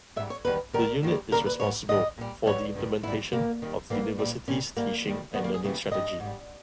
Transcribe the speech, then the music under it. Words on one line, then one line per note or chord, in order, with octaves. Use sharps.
The Unit is responsible for the implementation of the university's Teaching and Learning Strategy.
G#2 G3 E5
C#5
E2 D#3 G3 B4
E2 D#3 G3 A#4
D#2 D#3 G3
D#2 C#3 G3 A#4
B4
G#2 G3 C#5
G#2 D#3 G3 D#5
A#2 G3
G#2 E3 G3 C#5
G2 D#3 G3
G#2 G3 E4
A#2 G3 A#3
D#2 D#3 G3
G#2 E3 G3 A#3
A#2 G3
A#2 G3 C#4
G#2 G3 A#3
D#2 D#3 G3
D#2 D#3 G3 B3
A#3
G#4
D#2 C#3 E3 G3
G2 D#3 G3 D#5
G#2
G3